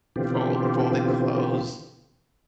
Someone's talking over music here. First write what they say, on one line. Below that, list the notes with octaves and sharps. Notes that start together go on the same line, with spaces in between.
fol folded clothes
B2 D3 E3 C4 F4 G4